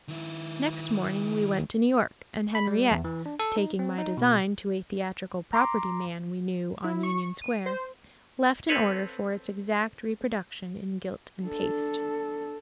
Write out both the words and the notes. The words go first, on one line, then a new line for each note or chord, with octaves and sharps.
Next morning we went to New York, and Henriette, taking my design to a theatrical property-man we knew on Union Square, left an order for its exact reproduction in gilt and paste.
D#3 E4
B5
G3
E2
E3
D4
A4
D#4
C4
D#4
B2
A#5 C6 D6
E4
C#6
D#7
C5
C4 A4 B4 C#5 F5
D4 A4